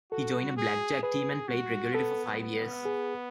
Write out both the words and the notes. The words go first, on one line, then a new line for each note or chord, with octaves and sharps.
He joined a blackjack team and played regularly for five years.
F#4 A4
G#4
G#4 B4
F#4
B3 A4
B3
G#4